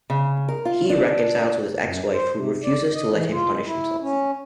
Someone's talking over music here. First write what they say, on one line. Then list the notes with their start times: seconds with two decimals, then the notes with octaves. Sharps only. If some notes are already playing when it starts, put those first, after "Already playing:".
He reconciles with his ex-wife, who refuses to let him punish himself.
0.10 C#3
0.48 A#4
0.65 F4
0.89 D4
1.82 F#2
2.12 C5
2.34 C3
2.64 D5
2.94 D#5
3.12 E3
3.31 F4
3.53 G#3
3.65 E4
4.01 C#4